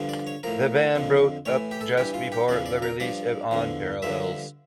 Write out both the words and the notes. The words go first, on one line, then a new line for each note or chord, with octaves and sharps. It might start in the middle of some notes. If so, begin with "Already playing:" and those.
The band broke up just before the release of On Parallels.
Already playing: G2 D3 F3
D5
C#5
A2 F3 A#4
F2 D3 F3
A2 E3 C#5
G4
A4
G2 E3 G4
F4
G4
E2 C#3 F3 D5
D5
A#4
G2 F3 D5
E2 D3 F3
G2 D3 F3 E5